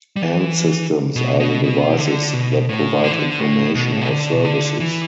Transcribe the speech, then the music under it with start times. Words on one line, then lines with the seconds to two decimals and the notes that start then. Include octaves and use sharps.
End systems are the devices that provide information or services.
0.16 G3
0.22 E3
1.16 B2
1.40 B2
1.64 B2
1.99 D3
2.33 B2
2.69 A2
3.04 D3
3.11 E3
3.19 D3
3.40 A2
3.75 B2
3.92 A2
4.01 B2
4.10 D3
4.32 B2
4.45 D3
4.80 E3